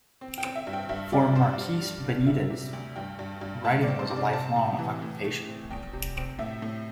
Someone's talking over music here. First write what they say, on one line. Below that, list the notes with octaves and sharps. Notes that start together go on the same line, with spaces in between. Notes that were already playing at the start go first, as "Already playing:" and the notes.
For Marquez-Benitez, writing was a lifelong occupation.
C4
G5
C4
E5
G2
G5
G2 E5
G3 D5
G2 C5
G3 D5
G3
D3
G3 E5
C3
D2
G2 G5
G2
G2
A3 A5
D5
C4
C5
C3
D5
C4 A5
A2
E3
A2
A3
C4
E2 G5
C3
C4
A2 E5
A2